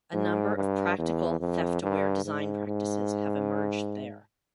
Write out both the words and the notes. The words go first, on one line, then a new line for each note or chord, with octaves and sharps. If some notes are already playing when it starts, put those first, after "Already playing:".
A number of practical theft-aware design practices have emerged there.
G#2
G2
E2
F2
G2
G#2
G#2